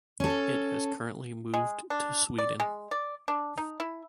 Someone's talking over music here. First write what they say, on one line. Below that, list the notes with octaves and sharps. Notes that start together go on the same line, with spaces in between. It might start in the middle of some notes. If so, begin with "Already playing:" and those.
It has currently moved to Sweden.
C#4 A4
G#3
D4
D5
G#3
D5
D4
D#4
E4